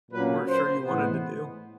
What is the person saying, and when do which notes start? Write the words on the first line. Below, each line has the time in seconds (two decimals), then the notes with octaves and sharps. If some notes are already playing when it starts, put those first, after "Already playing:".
weren't sure you wanted to do?
0.11 A#2 F#3 A#3 C#4 B4
0.48 C5
0.84 A2 E3 G#3 B3